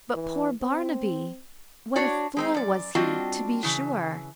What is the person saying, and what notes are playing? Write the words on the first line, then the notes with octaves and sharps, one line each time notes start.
But, poor Barnaby! what a fool was he, to be sure!
E3
C4
D4 F#4 C#5 D5
G#3 C4 D#4
F#2 D5
G3 C4 D4 F4 F#4 D#5
C#3 E3